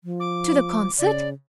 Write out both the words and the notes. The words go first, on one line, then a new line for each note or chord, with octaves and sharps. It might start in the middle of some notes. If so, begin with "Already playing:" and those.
"To the concert?"
F3
D6
C#3 D5